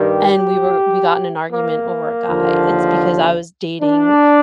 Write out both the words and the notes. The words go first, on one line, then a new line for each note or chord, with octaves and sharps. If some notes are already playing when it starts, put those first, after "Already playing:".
and we were we got in an argument over a guy, it's because I was dating
Already playing: G2 D#3 G4
A#3
D#2 D3 F3
D4